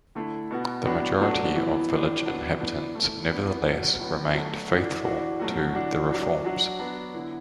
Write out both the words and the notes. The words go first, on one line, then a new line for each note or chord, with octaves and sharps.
The majority of village inhabitants, nevertheless, remained faithful to the Reforms.
D3 A3 E4
B2 B3 F#4
A2 F#3 B3 D4 F#4
F#3 A3 D4 F#4
E3 B3 E4
A2 E3 D4
F#3 B3 D4 F#4
E3 B3 D4
E3 A3 E4
E3 B3 D4 F#4
B2 F#3 B3 D4 F#4
A2 F#3 B3 F#4
F#3 A3 F#4
E3 D4 F#4
E3 D4 F#4
B2 F#3 A3 F#4
E3 D4 F#4
F#3 D4 F#4
F#3 D4 F#4
F#3 B3 D4 F#4
D3 B3 E4